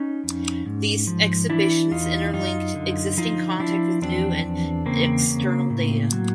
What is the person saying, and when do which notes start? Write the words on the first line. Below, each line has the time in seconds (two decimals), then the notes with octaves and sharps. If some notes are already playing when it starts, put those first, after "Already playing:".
These exhibitions interlinked existing content with new and external data.
Already playing: C#4 D#4
0.24 F2
0.66 G#2
1.07 F3
1.50 E3 D4 E4
1.91 E2 D#4 F4
2.33 F#2 D#4 F4
2.75 D3
3.17 F3 D#4 F4
3.60 F3 D4 E4
4.02 E2 C4 D4
4.44 E2
4.86 C#3 A#3 C4
5.27 C#3
5.70 A2
6.12 F#3